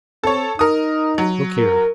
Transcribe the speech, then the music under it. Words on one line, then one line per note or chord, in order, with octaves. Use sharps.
Look here!
C4 A4 C#5
D#4 A#4 D#6
F#3
A#4